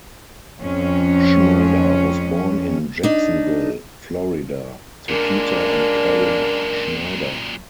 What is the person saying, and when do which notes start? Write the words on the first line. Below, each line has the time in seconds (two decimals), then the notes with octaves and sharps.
Schneider was born in Jacksonville, Florida to Peter and Karen Schneider.
0.60 F2 C#4
3.03 D4 D#4
5.09 F#2 A#2 G#3 A#3 D4 A#4